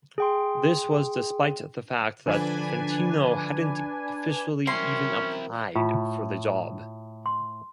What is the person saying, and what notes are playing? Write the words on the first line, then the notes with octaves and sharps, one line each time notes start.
This was despite the fact that Fantino hadn't officially even applied for the job.
G#4 G5 C6
D3 F3 D4 B4 G#5
E3 F#3 C4 C#4 E4 A#4 C6
A2 F4
C6